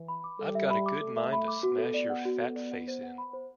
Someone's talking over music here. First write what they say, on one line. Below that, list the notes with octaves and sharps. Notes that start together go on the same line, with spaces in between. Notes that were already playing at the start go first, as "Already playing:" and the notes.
I've got a good mind to smash your fat face in!
Already playing: E3
B5
D6
G3 A4
E5
B5
D6
A3 A4
E5
B5
D6
B3 F#4
A4
D5
F#5
F#4
A4
D5
F#5
C5
F#5
B5
C5